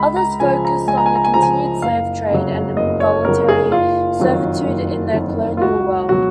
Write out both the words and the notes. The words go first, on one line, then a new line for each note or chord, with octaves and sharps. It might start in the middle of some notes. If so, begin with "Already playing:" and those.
Others focused on the continued slave trade and involuntary servitude in the colonial world.
Already playing: C#2 B5
A#5
C#3 F3 G#5
A#5
C#2 G#5
A#5
G#5
A#5
G#5
C#3 F3 A#5
G#5
F#1 F5
F2 C#3 F#3
F#1 D#5
C#5
F2 C#3 F#3 A#4
G#4
F#1 F4
F2 D#3 F#3
F#1
F2 D#3 F#3
F4
C#2 F#4
B2 F#3 F#4